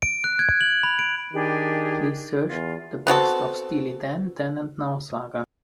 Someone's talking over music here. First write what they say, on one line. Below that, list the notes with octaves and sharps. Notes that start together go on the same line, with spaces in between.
Please search The Best of Steely Dan: Then and Now saga.
D7
F#6
G#6
F#7
B5
D7
D#3 D4 G4 G#4
E2 F4
B3 C4 F#4 A4